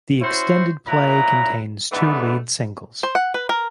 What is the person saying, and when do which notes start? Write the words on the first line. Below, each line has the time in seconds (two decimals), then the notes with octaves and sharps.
The extended play contains two lead singles.
0.22 C#4 E4 F#4 C5
0.88 F#2 A#2 E4 B4 A#5
1.92 G#2 D3 E3 A3 B3 B4
3.03 C5
3.15 F#5
3.34 B4
3.49 A#4